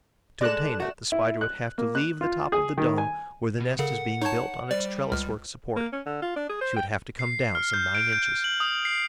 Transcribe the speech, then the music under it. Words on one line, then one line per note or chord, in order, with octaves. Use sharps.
To obtain it, the Spider would have to leave the top of the dome, where the nest is being built on its trellis-work support; she would have to come down some nine inches.
G#3 A4 D5 F#6 E7
A3 F#4
E4
F#6
A#3
F#6
F4
G#4
D#3
G#5
B2
C#3 A4 A#4 F#5
D#4 C#5 A5 C#6 G#6
G3 C5 D5
C#2 F6
A#3
C#4
D3
F4
D4
G#4
C5
G5
C7
F6
G6
D7
G6
F#7
D#6
C7